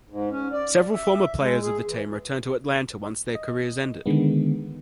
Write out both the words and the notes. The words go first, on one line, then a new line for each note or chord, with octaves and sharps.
Several former players of the team returned to Atlanta once their careers ended.
G#2
C#4
D5
E5
G#3
G#4
E3
D#5
D3 D#3 G#3 B3